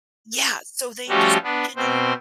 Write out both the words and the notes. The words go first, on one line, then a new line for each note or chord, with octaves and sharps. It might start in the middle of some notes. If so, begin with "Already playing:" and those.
Yeah, so they just you know,
F3 G3 A3 C#4 F#4 G4
B3 D4
B2 C4 C5